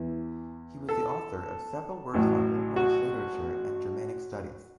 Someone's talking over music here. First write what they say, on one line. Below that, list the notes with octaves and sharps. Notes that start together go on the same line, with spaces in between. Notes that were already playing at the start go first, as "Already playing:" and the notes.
He was the author of several works on Old Norse literature and Germanic studies.
Already playing: E2 E3
A4
A1 A2 F#3
F#4